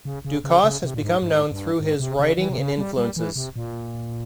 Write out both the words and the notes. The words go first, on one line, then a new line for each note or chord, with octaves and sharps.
Ducasse has become known through his writing and influences.
C#3
C#3
C#3
C#3
C3
A#2
G#2
G#2
G2
G#2
C3
C#3
E3
C3
C#3
G3
G3
E3
C3
A#2